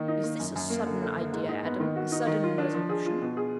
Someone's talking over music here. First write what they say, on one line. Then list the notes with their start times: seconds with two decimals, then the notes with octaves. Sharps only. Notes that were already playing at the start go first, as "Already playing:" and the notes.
"Is this a sudden idea, Adam, a sudden resolution?"
Already playing: D#3 A#3
0.08 D#4
0.24 A#3
0.39 F#2
0.56 F#2
0.70 A#3
0.86 D3
1.02 D3
1.18 A#3
1.33 G#2
1.49 D#4
1.65 B3
1.80 D#3
1.96 F#4
2.12 D#4
2.27 D#3
2.43 F4
2.58 D4
2.74 F3
2.89 G#4
3.06 F4
3.22 B2
3.37 G#4